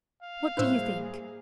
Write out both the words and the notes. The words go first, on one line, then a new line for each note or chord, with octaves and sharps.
What do you think?
F5
A2 G3 A#3 E4 G#4 C5 E6 F#6